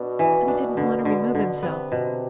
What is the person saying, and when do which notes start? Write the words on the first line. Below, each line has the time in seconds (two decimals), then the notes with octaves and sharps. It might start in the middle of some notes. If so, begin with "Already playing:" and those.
But he didn't want to remove himself.
Already playing: B2 D4
0.19 E3
0.48 D4
0.77 D3
1.05 D3
1.35 D3
1.63 C3 B3
1.92 B2